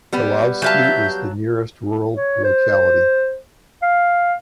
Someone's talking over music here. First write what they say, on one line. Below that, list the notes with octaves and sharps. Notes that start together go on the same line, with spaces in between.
Talovsky is the nearest rural locality.
G3 B3 G4
F#3 E5 F5 A5 G6
C#5
C5
F5